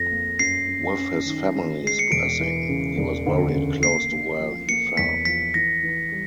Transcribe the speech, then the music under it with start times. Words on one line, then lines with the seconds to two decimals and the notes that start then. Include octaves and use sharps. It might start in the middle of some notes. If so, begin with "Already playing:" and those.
With his family's blessing, he was buried close to where he fell.
Already playing: F2 F3 A#6
0.11 A#3
0.39 F#2 C7
0.68 F#2
0.97 C#4
1.26 D#3
1.54 C#4
1.83 G#3 C7
1.99 C#7
2.12 E1 D7
2.40 E3
2.69 C#3
2.97 E1
3.26 D2
3.54 C#3
3.83 A#3 C7
4.11 A#3
4.40 F3
4.69 A#3 C#7
4.97 E2 B6
5.25 F3 B6
5.54 E3 A#6
5.83 E3
6.12 G3